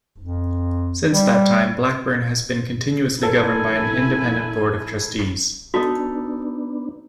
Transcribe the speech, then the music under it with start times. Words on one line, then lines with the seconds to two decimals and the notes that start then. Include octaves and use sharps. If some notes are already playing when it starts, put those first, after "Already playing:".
Since that time, Blackburn has been continuously governed by an independent Board of Trustees.
0.18 F2
1.12 G3
3.23 E4 A4 A#4 G#5
5.74 B3 D4 D#4 F#4 A4